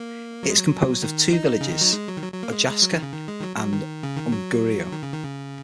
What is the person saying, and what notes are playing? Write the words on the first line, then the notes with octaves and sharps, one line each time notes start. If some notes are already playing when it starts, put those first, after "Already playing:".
It is composed of two villages, Ojasca and Unguriu.
Already playing: A#3
F#3
G#3
F#3
D#3
D#4
C#3
D#3
F#3
G#3
F#3
D#3
F#3
F#3
A#3
G#3
G#3
F#3
D#3
C#3
D#3
G#3
D#3
F#3
F#3
D#3
C#3
D#3
F#3
D#3
C#3
D#3
C#3